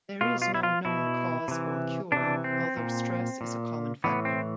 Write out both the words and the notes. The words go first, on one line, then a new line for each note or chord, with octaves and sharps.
There is no known cause or cure although stress is a common factor.
B2 F4
F4
E4
F4
B2 E4
C3 E3
C3 E3 D4
C4
A#2
A#2
A2 E3 B3
C4